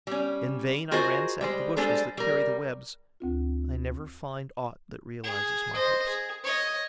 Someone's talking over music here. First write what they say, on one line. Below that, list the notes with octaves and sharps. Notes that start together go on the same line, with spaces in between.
In vain I ransack the bushes that carry the webs: I never find aught that realizes my hopes.
G3 C#4
F4 F#4 G#4 A#4 C5 D#5
G3 G#3 C5
G3 G#3 D4 A4 C5
G3 A#4
D2 C4 F4
G#4
C5 D#5
G#4
C#5 D#5